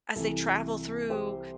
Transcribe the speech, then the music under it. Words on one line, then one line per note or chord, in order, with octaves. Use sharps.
as they travel through
C2 C3 E3 E4 A4
G4 C5